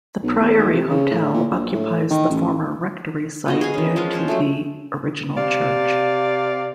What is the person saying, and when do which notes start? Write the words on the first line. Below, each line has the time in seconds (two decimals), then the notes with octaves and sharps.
The Priory Hotel occupies the former rectory site near to the original church.
0.23 B1
0.40 E2
0.58 D#2
0.73 C3
0.89 C#3
1.11 A2
1.33 A#2
1.50 A#1
1.74 A2
2.10 D#3
2.30 A1
3.46 B3 F#4 D#5
3.61 G#4 D#5 F5 G#5
3.74 D#3 C#4
3.96 F3 G#3 C#4 F4
4.13 C#4 G#4 C5
4.28 F#3 G#3 A3
5.36 C3 D5 F5